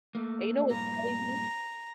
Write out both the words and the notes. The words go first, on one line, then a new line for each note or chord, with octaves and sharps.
And you know what's crazy?
A3 A#3
G2 A#2 A#5